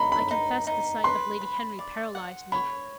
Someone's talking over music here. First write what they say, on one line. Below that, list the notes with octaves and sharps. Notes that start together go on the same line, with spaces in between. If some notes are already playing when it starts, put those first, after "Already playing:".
I confess the sight of Lady Henry paralyzed me.
Already playing: D#4 B5
B5
D#4
D#4
B4 C6
B5
D5
F#5
C#5 B5